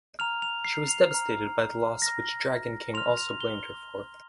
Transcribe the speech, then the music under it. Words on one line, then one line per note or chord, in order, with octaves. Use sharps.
She was devastated by the loss which Dragon King also blamed her for.
A#5 F6 F7
F7
C7
F7
A#5 F6
A#5 F6 A#6
C6 F6 F7
F7
G7